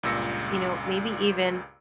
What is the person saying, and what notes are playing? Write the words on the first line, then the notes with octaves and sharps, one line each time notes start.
you know, maybe even
C#2 G2 A#2 E6 A#6 C#7